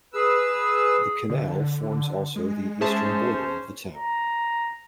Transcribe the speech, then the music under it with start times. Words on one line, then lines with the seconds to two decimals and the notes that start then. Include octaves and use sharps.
The canal forms also the eastern border of the town.
0.13 G#4 B4 E6
1.30 D3
2.36 G#3
2.81 C#4 G#4 C5 E5 A5
3.95 A#5